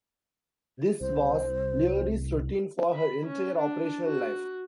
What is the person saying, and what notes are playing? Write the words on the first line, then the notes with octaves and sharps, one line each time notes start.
This was "Leary"s routine for her entire operational life.
C2 C5
B5
C#4
D4
F#4